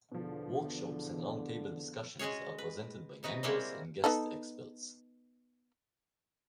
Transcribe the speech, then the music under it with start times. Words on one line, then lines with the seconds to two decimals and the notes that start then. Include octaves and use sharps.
Workshops and roundtable discussions are presented by members and guest experts.
0.12 E2 B2 D3 F3
2.19 G#3 C#4 F#4 G#4 C#5
2.58 B4
3.23 C3 D#4 F#4 B4
3.43 G3 G#3 A#3 C4 E4 F#4
4.04 B3 D#4 A4